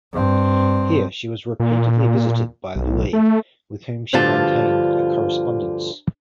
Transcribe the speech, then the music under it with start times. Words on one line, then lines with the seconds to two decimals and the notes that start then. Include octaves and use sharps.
Here she was repeatedly visited by Louis, with whom she maintained a correspondence.
0.13 G2 C4
1.60 A#2
2.76 B1
3.13 A3
4.13 D2 G2 D3 F3 F4 A5